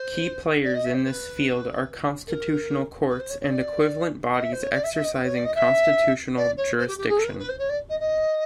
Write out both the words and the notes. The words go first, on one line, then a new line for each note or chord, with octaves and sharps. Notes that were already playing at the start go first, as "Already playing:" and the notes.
Key players in this field are constitutional courts and equivalent bodies exercising constitutional jurisdiction.
Already playing: C5
D5
D#5
E5
C5
B4
A#4
B4
C5
C#5
C#5
D5
D#5
E5
C5
C#5
D5
E5
E5
D#5
B4
C#5
D5
D#5
E5
D5
C#5
C5
G4
G4
G#4
A4
A#4
B4
B4
C5
C#5
D5
D#5
D#5